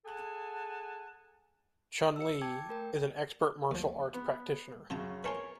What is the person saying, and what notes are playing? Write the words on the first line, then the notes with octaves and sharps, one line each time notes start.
Chun-Li is an expert martial arts practitioner.
G#4 A4 F#5 G#5 A5
E6 C#7
G5 A5 D6 G#6
A3 A#4 G5
D#2 F3
B3
F#2 C#3 F4 A5 A#5
A#4 B4 C#5 G#5 A5 C6